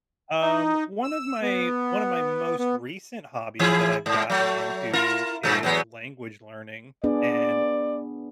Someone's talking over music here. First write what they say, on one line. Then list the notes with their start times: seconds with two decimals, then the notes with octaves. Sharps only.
um, one of my one of my most recent hobbies that I've gotten into is language learning, and
0.41 D#4
1.04 E6
1.42 B3
2.59 B3
3.59 E3 E4 G#4
4.06 G#2
4.30 F#3 A3
4.93 E4 F4 A#4
5.43 G2 A3
5.63 E2 F#3 B3
7.04 B3 D4 G#4 D5